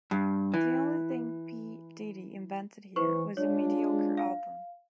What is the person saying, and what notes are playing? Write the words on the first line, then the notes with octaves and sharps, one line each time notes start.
The only thing P. Diddy "Invented" here was a mediocre album.
G2
E3
E3 B4 C5 C#6
G#3 D4 F4 C#5
F5